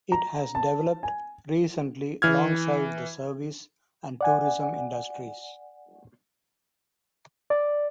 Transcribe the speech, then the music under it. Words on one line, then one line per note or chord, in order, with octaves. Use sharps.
It has developed recently alongside the service and tourism industries.
A#5
A5
G#5
E3 F6 G#6
D5 F#5 G#5
D5